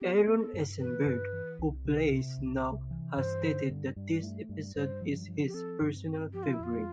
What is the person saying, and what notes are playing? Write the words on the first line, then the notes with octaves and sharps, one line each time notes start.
Aron Eisenberg, who plays Nog, has stated that this episode is his personal favorite.
B3 G4
B3
A4
G2
E3 B4
G2
E3
C2
C3
C3
C2
C3
E3
G2 C5
D3
G2
G2
A3
G2
G2 C5
F3
F3
G4
C4 A4
G2
C4
F3 G4
F4
E4
F2 F4